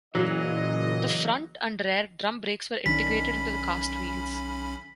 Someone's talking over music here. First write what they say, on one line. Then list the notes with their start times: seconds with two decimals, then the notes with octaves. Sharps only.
The front and rear drum brakes were integrated into the cast wheels.
0.15 F#1 A#2 E3 F#3 D#5
2.86 B1 D#3 C#4 D4 B5 B6